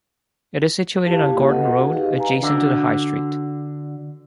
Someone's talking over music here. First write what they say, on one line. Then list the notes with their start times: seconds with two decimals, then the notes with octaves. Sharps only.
It is situated on Gordon Road adjacent to the High Street.
1.06 E4 F4 G4 F5 A5
1.32 A#3 F4 G4
1.48 F#4 A4 B4 D#5 F#5
1.78 D#4 G#4
1.92 G4 B4 D#5 F5
2.17 F5 G#5 A#5
2.42 D3 D4 F#4